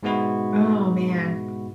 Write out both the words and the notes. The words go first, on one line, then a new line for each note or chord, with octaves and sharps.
Oh, man.
G#2 B2 G#3 B3 E4 F#4